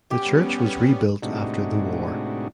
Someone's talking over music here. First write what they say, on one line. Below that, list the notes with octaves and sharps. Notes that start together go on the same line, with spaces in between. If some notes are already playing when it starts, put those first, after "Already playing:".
The church was rebuilt after the war.
G3 B3 C#4 G4
A2 C3 G#3 D4 D#4 F#4